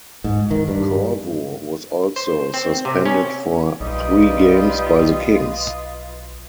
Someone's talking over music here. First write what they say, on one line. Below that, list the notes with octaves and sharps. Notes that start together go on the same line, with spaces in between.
Corvo was also suspended for three games by the Kings.
G#2
D#3
G2
C5
C4
C3
C#4
B1 G3 D#4 F4 B4 D#5